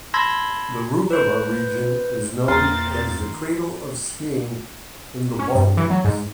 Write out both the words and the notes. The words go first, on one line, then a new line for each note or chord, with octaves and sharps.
The Rugova region is known as the cradle of skiing in the Balkans.
A5 B5 C6 E6 G#6 A#6
B4 C5
E2 A#2 C4 A#5 C6 F6 A6
D#3
C#4
G2
E3
F#3
G#2